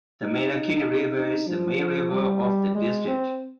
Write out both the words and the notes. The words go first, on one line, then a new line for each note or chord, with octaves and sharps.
The Mandakini River is the main river of the district.
D#4
D#4
D#4
F3
G3
G3
G#3
C4